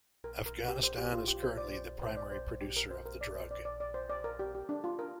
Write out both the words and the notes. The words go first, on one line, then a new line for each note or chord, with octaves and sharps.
Afghanistan is currently the primary producer of the drug.
A#4
A#4
G4
C5
G4
F4
G4
C5
D5
C5
C5
D5
C5
G4
A#4
C5
A#4
D5
C5
D5
D5
D5
C5
D5
A#4
G4
G4
D4
F4
A#4